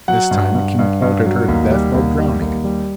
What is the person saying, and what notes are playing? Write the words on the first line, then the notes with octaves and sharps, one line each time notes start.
This time the king plotted her death by drowning.
F#3 F#5
G2
G2
G2
G2
F#3
D#2
G3
D#2
G3
D#2
G3